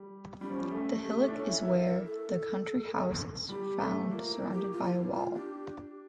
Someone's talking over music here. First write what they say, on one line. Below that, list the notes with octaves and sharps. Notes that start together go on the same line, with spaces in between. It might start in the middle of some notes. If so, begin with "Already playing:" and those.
The hillock is where the country house is found surrounded by a wall.
Already playing: G3
G3 C#4
F3
G3
A3
A3 G4
A3
D4
C#4 A4
E4
E4 A#4
A4
A#4
A4
G3 G4
A3
A#3 F4
E4
G4
F4
F4
E4
F4
D4 G4